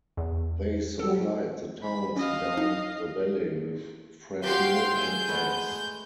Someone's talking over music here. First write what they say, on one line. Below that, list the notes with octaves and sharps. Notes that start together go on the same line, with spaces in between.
They supplied the towns down the valley with fresh milk and eggs.
E2
F#3 G3 A4
B5
C#4 F#4 D#5 F5
D#4
F#4 G4 F5 G5 C6 G6
G#4 E5
G#3 A3 B3